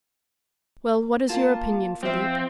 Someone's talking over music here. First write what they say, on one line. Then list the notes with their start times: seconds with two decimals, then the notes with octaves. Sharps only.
"Well, what is your opinion, Philip?"
1.29 A#3 F4 A5
2.03 F3 C4 E5